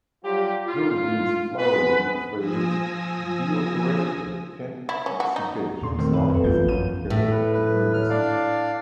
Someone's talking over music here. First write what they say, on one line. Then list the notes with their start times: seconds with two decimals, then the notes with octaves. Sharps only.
Through these flowery phrases, the operator can extricate himself easily in case of emergency.
0.24 F#3 G3 F4 G4
0.66 F4
1.58 G#3 B3 C4 B4
2.36 F3 G#5 D#6 E6 A#6
4.89 E4
5.06 C#4
5.20 F#4
5.36 D#4
5.81 E2 A#2 C6
5.99 D#3 A3 C4
6.13 F#2 B4
6.30 F2 A3 A4
6.44 A1 B3 F4 G6
6.68 F#2 D#7
7.10 A2 E5
7.31 B4
7.53 B4
7.94 F#3 F6
8.10 D4 D5 F5